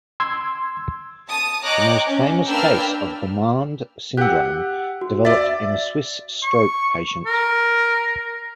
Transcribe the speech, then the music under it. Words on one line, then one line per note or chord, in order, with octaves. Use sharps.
The most famous case of gourmand syndrome developed in a Swiss stroke patient.
C6 E6 G#6
A5 D#6
C#5 D#5 G5 A#5 D6 F#6
C#4
A#3 D4 B4 G5 E6 F6
G4 F#5 E6 F#6
F#4
D5 E5 A6
C#6
A#4